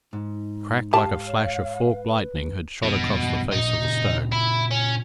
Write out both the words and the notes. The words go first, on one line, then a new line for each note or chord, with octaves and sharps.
A crack like a flash of forked lightning had shot across the face of the stone.
G#2 D#4
G4 F5 A5
C#5
B4
E2 G2 B2
A1 A#2 D#4
A#2 C#3
E4
C#4